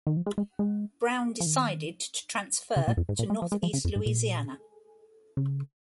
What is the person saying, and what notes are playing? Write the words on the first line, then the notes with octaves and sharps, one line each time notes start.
Brown decided to transfer to Northeast Louisiana.
D#3
F3
G#3
G#3
G#3
F3
D#3
C#3
A#2
F2
G#2
A#2
G#3
F3
G#3
F3
C#3
F2
G#2
A#2
C#3